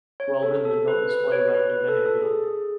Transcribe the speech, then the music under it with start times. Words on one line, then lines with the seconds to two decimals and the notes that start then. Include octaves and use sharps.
Weldon did not display "random" behavior.
0.20 C#5
0.43 A4
0.65 A4
0.88 B4
1.09 B4
1.32 C#5
1.54 B4
1.71 B4
1.88 A4
2.06 A4
2.22 G#4
2.44 G#4